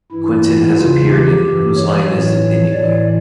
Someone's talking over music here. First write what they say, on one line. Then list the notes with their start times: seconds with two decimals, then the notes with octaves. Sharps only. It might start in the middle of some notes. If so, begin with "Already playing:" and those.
Quentin has appeared in Whose Line Is It Anyway?
0.12 G2 E3 E4
0.78 E2 C#3 E3 F4
1.11 G4
1.42 G2 E3
1.76 C#5
2.08 A2 E3
2.73 A2 E3 D5